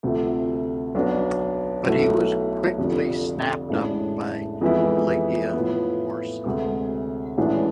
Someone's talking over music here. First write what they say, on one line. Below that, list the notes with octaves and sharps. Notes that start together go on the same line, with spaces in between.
But he was quickly snapped up by Legia Warsaw.
D2 C3 F3 A3
B1 B2 B3 D4
B1 B2 A3 E4
F1 F2 D3 F3
A1 A2 G#3 D4
F2 E3 G#3 B3 E4
A2 F3 B3
D2 C3 G#3
A1 A2 E3 G#3 D4